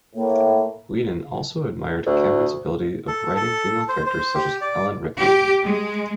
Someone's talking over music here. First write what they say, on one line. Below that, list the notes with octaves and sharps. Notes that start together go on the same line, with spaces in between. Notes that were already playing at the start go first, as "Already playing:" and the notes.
Whedon also admired Cameron's ability of writing female characters such as Ellen Ripley.
A2 A#3
D2
A4
A4
C5
C5
G4
D5
G4
G#3